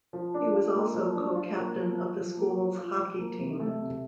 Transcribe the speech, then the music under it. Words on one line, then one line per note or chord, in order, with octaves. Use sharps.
He was also co-captain of the school's hockey team.
F3
D4
F4
A#3
F3
D4
F4
A#3
F3
F4
F3
A#3
F3
F4
F3
A#3
C3
A3
C3